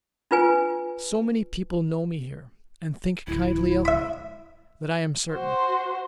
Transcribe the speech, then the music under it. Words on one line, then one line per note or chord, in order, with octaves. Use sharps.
So many people know me here, and think kindly of me, that I am certain.
D4 F4 B4 G#5
D1 E4
E5 B5
F#4 C5